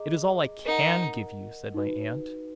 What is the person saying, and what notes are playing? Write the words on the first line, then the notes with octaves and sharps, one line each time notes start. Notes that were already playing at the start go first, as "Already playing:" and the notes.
'It is all I CAN give you,' said my aunt.
Already playing: G#4 D#5 A#5 D6
D#4 A#4 D#5 F#5
D#4 F#4 B4